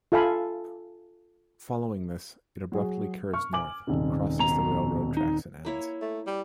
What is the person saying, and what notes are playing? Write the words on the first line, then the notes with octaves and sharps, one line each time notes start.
Following this, it abruptly curves north, crosses the railroad tracks and ends.
F4 A4 E5 F5 G#5 B5
F#3 G#4
C#6 F6
G#5 D6 F#7
D#1 G#2 C3
B2 A#5
D#4
A#3 E4 C#5
A3
G3